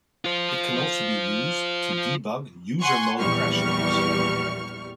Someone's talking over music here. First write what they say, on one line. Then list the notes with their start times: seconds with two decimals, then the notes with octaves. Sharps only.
It can also be used to debug user-mode crash dumps.
0.25 F4 C5
2.81 F#5 G#5 C6 C#6
3.18 A#1 E2 G3 C#6 F6